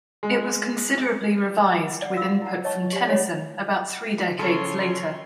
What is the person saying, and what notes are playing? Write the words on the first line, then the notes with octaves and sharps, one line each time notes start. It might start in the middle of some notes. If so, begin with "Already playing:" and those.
It was considerably revised, with input from Tennyson, about three decades later.
G#3
D5 F#5
F#4 F5 E6
E4 F#5
C#5 D#5 A5 C#6
G4 D5
D#4 G#4 C#5 D#5 G#5
C#3 F3 C#4 A4 C#5 C6